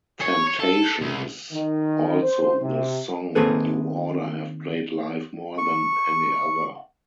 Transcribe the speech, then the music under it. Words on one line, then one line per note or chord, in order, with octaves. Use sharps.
"Temptation" is also the song New Order have played live more than any other.
C#5
C#5
A4
C2
D#3
C5
C3
D#3 A#3 C4 G#4 A4 B4
C#6